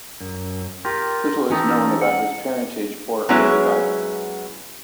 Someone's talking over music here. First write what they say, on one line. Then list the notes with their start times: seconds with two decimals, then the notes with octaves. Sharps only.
Little is known about his parentage or early life.
0.21 F#2
0.85 F4 G4 A#4
1.50 E3 C#4 D#4 G4 A4
2.01 F#5
3.29 F#3 G#3 B3 C#4 E4